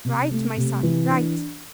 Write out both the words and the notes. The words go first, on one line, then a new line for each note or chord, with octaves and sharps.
'Right, my son, right.
C3
A3
C3
E3
D4